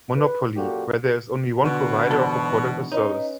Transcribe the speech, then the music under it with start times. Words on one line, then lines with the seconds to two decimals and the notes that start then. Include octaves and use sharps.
Monopoly, where there is only one provider of a product or service.
0.16 B4
0.56 F#2 A#2 F#4 G4 A4
1.64 B2 D3 F#4
2.11 E2 G#2 A4
2.92 C#4 D#4 B4 D#5